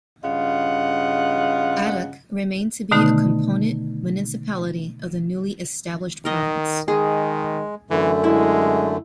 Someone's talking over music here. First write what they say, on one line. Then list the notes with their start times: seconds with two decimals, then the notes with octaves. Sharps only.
Atok remained to be a component municipality of the newly established province.
0.23 G2 C#3 F4 D#5 F#5
2.91 B2 D3 D#3 A3 B3 D#4
6.25 D#3 A#4 D#5
6.88 D#3 G#3 G#4
7.90 F#2 D3 E3 A3
8.24 G#3 E4